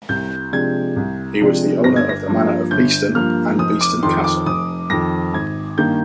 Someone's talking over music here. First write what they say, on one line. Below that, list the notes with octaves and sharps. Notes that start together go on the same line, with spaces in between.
He was the owner of the manor of Beeston and Beeston Castle.
C2 G6
C3 F3 G#3 D4 G#6
C2
C3 F3 G#3 D4
G1 A#6
G#6
A#6
G2 F3 A#3
G1 G6
G2 F3 A#3 F6
F1 D#6
D6
F2 D#3 C6
D6
F1 D#6
F2 D#3 A#6
G#1 G#6
G2 D#3 A#3 G6